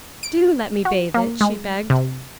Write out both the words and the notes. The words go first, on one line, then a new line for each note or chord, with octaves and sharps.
"Do let me bathe it," she begged.
D7
F#4
A#3
G#3
C3